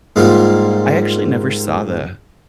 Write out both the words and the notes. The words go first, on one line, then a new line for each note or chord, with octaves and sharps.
I actually never saw the
G#2 G3 A#3 F4